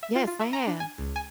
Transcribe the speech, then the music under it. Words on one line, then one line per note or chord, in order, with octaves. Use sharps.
Yes, I have.
E5
F4
F4
E5
A#5
D4
G#5
C#2
G#5